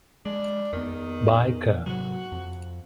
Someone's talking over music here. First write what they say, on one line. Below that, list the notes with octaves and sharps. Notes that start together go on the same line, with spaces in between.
By ca.
G#3 D4
F2 D#3 B3
G#2 C3 F#3 F#4
F2